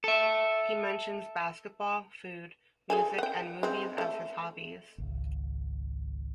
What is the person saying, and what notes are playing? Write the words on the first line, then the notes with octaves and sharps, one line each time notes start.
He mentions basketball, food, music and movies as his hobbies.
A4 E5
G#4 A4 G#5
F#5 G5
G#3 C4
A3 A4
G#1 C#2